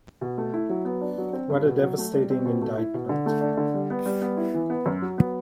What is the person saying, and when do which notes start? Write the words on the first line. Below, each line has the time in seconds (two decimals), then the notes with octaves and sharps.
What a devastating indictment.
0.21 B2
0.38 A3
0.54 E4
0.70 F#3
0.85 B3
1.01 D4
1.18 F#3
1.33 C4
1.50 G2
1.65 B2
1.82 F#3
1.98 A3
2.13 G3
2.30 C4
2.46 B2
2.62 A3
2.78 E4
2.94 B2
3.09 D3
3.26 A3
3.41 D4
3.57 D3
3.74 G3
3.90 B3
4.06 G3
4.22 B3
4.37 E4
4.54 E3
4.70 B3
4.86 F#2
5.02 F#3
5.18 B3